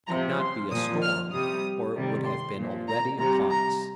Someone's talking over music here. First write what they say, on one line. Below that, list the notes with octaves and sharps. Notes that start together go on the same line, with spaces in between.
It could not be a storm, or it would have been already upon us.
C3 F3 A#5
C6
A#2 F3 D#6
F6
C3 G3 D#6
C3 D#3 G3
C6
A#2 F3
A#5
C3 G3 A#5
A#5